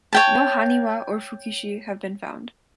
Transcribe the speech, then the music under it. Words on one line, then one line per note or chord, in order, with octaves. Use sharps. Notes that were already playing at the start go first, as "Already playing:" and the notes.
No "haniwa" or "fukiishi" have been found.
C#5 G5 A5